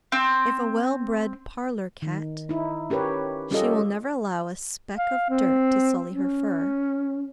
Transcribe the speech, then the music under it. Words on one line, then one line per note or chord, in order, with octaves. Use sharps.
If a well-bred parlour cat, she will never allow a speck of dirt to sully her fur.
C4
D#3
D#4 E4
C#4 G4 A#4 B4 C#5
G3 C#4 F4 G4 A4 D#5
F5
C4
C#4